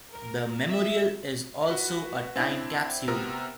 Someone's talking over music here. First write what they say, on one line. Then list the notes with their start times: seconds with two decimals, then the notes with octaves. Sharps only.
The memorial is also a time capsule.
0.11 A#4
0.68 E5
1.68 F#4 B4
2.36 C4 D4 E4
3.08 C3 B3 A#4 A#5 E6